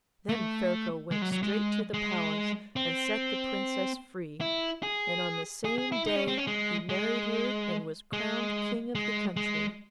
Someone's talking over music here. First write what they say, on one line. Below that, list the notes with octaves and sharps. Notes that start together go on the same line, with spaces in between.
Then Ferko went straight to the palace and set the Princess free, and on the same day he married her and was crowned King of the country.
A3
G#3
F#3
F#3
G#3
G#3
C4
E4
G#4
G#4
G#4
E4
D#4
C#4
C4
C#4
G#3
G#3
G#3
G#3
G#3